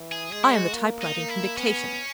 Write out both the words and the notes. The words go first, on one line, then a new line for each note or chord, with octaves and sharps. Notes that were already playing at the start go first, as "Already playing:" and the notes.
'I am the typewriting from dictation.
Already playing: E3
G#4
G#3 G#4
E4
F#4
A#3
D#4
A#3
E4
B3 C#4